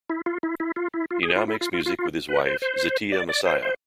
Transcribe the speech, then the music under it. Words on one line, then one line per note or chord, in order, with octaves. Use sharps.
He now makes music with his wife Zeeteah Massiah.
E4
F4
E4
E4
F4
E4
F4
G#4
F4
E4
F4
F4
F4
F4
B4
C5
C5
D5
D5
C5
C5